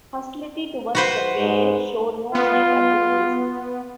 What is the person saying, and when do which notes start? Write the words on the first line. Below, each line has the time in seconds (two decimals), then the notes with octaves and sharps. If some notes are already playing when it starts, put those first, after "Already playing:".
Hostility towards the Bey showed no signs of decreasing.
0.95 F#4 B4 C5
1.37 G#2
2.35 B3 F4